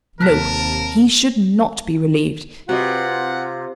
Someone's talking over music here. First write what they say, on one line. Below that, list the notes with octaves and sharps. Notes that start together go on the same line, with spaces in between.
No! he should not be relieved.
D#2 C3 A#4 A5 F6 F#6 B6
C3 F4 F#4 B4 D#5 F#5